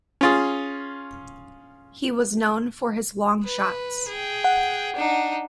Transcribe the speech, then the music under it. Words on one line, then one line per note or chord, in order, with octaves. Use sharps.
He was known for his long-shots.
C#4 F4 G#4
B4
G#4 G5
F#5
D4 D#4